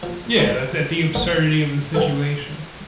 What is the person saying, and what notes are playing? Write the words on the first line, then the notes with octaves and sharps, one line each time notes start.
Yeah, tha that the absurdity of the situation.
F3
G#2 D3 G#3 B5
A#4 D5 F#5
A4 B4 E5 F#5 G5